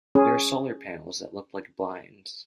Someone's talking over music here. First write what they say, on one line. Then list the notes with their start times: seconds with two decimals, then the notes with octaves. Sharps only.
There are solar panels that look like blinds.
0.15 C#4 G#4